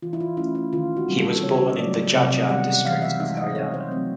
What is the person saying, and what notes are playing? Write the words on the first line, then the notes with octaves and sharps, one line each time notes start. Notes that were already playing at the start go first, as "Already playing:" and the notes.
He was born in the Jhajjar district of Haryana.
E3 F4
E4
F4
A3 C#4 E4
E4
D#3 F4
F#4
G3 C4 D#4
A4
C#3 C#5
D#5
F#3 A3 D5
C3 D5
D#5
D#3 G3 B3 F#5
F#5
E3 F5
E5
G#3 C4 D#4 E5
D#5
D3 C#5
C5
F#3 A3 C4